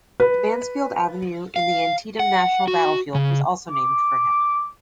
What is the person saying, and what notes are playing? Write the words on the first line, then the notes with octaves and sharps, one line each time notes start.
Mansfield Avenue in the Antietam National Battlefield was also named for him.
B4
F5
F#5
F#4
C#3
D6